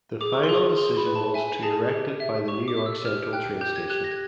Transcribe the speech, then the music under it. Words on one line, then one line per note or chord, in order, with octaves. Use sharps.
The final decision was to erect it by the New York Central train station.
G#4 D6
C#6
C6
G#4
C#6
G#4 C6
B5
B4
A5
E5 G#5
G#4 A5
G4
E5
G4 C#6
D6
E5
E6
G4 F6
G5 F#6
G4 G6
G#6
G4 F#6
A#6
G#6